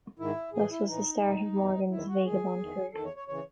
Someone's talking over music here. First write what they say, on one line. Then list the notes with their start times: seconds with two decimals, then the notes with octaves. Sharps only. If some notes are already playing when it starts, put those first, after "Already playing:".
Thus was the start of Morgan's vagabond career.
0.19 G#2 D#3 E4
0.53 A2 E3 G#4
0.71 E4
0.87 A2 E3 D#4
1.22 E2 B2
1.56 E2 B2
1.90 E2 D#3 E4
2.08 F#4
2.25 E2 D#3 G#4
2.59 E2 D#3
2.94 E2 D#3 A4
3.05 C#5
3.16 C#5
3.28 C#3 E3 C#5